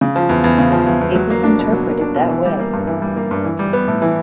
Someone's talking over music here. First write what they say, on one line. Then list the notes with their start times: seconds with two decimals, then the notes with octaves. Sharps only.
It was interpreted that way.
0.01 C#3
0.16 F3
0.29 E2
0.44 E2
0.58 C#3
0.72 F3
0.87 E2
1.01 E2
1.15 F#3
1.30 A#3
1.44 D4
1.59 B2
1.73 F#3
1.87 A#3
2.01 D4
2.16 B2
2.30 E3
2.45 G3
2.59 A#3
2.73 G2
2.87 E3
3.02 G3
3.16 A#3
3.31 G2
3.45 E3
3.59 G3
3.73 B3
3.88 A2
4.02 E3